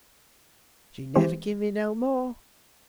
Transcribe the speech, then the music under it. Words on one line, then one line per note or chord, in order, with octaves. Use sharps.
"She never give me no more."
E3 G#3 C4 G4 C5